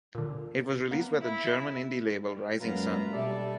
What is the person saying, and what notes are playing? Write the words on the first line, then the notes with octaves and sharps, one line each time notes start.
It was released by the German indie label Rising Sun.
A#2 D3
A#3 B3
E4
G3
F#2 G#3 A#3 F4 B4 A#5
B2 G3 D4 G4 A4 D5 E5